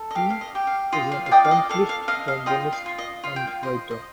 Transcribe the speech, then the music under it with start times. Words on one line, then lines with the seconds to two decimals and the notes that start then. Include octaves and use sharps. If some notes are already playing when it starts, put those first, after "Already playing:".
He is an accomplished trombonist and writer.
Already playing: A4
0.11 D#5
0.15 G4 F5
0.30 F5
0.41 D#5
0.55 G4
0.67 F5
0.92 F4 D#5
1.12 F5
1.26 F5
1.31 D5 D#5 G5
1.45 F5
1.51 D#5
1.69 A4 F5
1.89 F5
2.08 D#5 F5
2.28 F5
2.46 F4 D#5 G5
2.73 F5
2.86 F4
2.98 D#5
3.24 F4 F5
3.36 G5
3.47 F5
3.63 C5 D#5
3.91 D#5